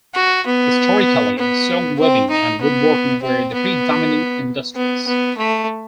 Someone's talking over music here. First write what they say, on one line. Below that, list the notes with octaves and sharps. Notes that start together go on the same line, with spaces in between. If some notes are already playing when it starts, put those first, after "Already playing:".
Historically, silk weaving and woodworking were the predominant industries.
F#4
B3
B3
C4
D#4
B3
C4
B3
B3
B3
A3